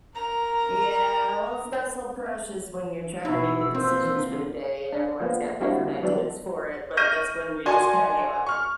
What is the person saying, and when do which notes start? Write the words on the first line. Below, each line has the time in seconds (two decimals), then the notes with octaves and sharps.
Yeah, well, it's not so precious when you're trying to make the decisions for the day, and everyone's got different ideas for it, but that's when we just kinda have a
0.15 A#4 A#5
3.25 B2 D#4 E4 E6
3.75 E2 A#2 C4 F4 C5
4.93 D4
5.20 F3 A#3 B3
5.61 G3 A#3 C4 D4 E4 F#4
6.03 E3 F#3 G3 B3 D4
6.97 C#6 F6 G6 A#6 D#7
7.66 F#4 D5 G#5 A5 C6
8.47 C#6 F6